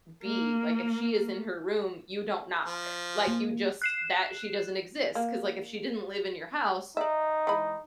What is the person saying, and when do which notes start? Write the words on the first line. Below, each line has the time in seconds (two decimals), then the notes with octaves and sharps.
be like, if she is in her room, you don't knock, like, you just that she doesn't exist. 'Cause, like, if she didn't live in your house,
0.23 A#3
2.65 F3
3.27 A#3
3.82 F#6 C7 E7
5.15 A#3
6.97 D#4 D5 E5
7.47 E3 G#3 B5